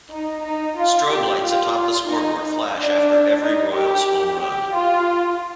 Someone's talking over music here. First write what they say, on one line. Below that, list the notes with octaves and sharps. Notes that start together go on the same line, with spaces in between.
Strobe lights atop the scoreboard flash after every Royals home run.
D#4
D#4
F4
G4
F4
D#4
D#4
D4
D#4
G4
G4
F4